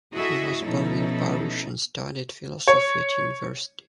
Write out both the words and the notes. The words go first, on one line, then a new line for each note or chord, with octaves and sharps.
He was born in Paris and studied philosophy at university.
E4 F#4 G#4 A4 D#5 E5
B2 F3 C#4 D#4 E4 A4
C#5